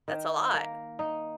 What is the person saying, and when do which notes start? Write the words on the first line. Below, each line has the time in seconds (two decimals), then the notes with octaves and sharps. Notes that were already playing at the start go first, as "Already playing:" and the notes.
That's a lot.
0.08 D#3
0.53 A#3
0.99 D#4